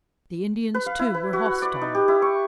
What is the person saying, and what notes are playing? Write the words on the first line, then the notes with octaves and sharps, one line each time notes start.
The Indians, too, were hostile.
B4
F5
E4
B4
F#4
F#5
D5
D#4
G4
E4
C#6